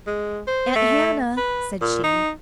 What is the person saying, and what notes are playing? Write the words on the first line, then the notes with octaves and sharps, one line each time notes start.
"Aunt Hannah?" said she.
G#3
C5
A3
B4
A#2
D#4